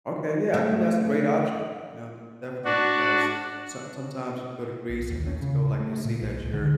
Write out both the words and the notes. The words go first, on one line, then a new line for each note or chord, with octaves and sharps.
Okay. Yeah. I think that's a great option, you know? D definitely because some sometimes you go to Greece and Mexico, like, they see that you're
A3
D4 F#4
B1
D#2
C#4
C#3
A3
A#2
B1
D1
D3